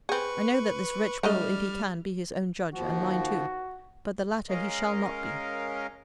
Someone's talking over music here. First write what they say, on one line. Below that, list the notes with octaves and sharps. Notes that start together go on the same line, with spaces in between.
I know that this wretch will, if he can, be his own judge, and mine too. But the latter he shall not be.
C4 G#4 B4 C#6
G3 A3 D4 D#5 F6
D#2 F3 F#4
G#3 C#4 A#4 D#5 F5